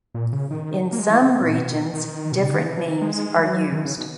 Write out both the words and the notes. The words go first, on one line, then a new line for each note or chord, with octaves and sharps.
In some regions different names are used.
A#2
C#3
D#3
A#3
G#3
E3
C#3
A#2
B2
D#3
B2
C#3
D#3
E3
G#3
G#3
F#3
D#3
C#3
B2